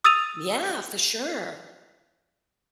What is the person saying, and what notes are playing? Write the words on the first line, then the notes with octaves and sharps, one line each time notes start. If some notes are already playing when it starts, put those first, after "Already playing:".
Yeah, for sure.
D#6 E6 A6 D#7 F7